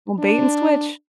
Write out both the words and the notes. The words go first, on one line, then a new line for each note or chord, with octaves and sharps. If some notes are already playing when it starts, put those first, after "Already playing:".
old bait and switch.
D4